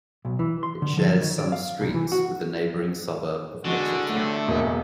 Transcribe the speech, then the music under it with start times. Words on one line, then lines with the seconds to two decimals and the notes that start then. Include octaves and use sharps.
It shares some streets with the neighbouring suburb of Mitchelton.
0.25 B1
0.39 E3
0.63 C6
0.82 D3
0.97 F3
1.21 D#3
1.38 D5
1.52 F5
1.81 C2
1.94 E3
2.12 F#4
3.65 D3 G#3 F#4
4.10 A1 F#3 G3 A3
4.48 E1 C#3 G#3 A#3 B3